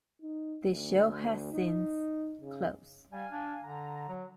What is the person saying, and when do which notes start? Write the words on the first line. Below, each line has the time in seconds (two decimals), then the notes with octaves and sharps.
The show has since closed.
0.22 D#4
0.65 D2
1.52 D#4
2.41 C#3
3.12 G3 F5 G#5
3.32 D4
3.63 D3 A#5
4.09 F#3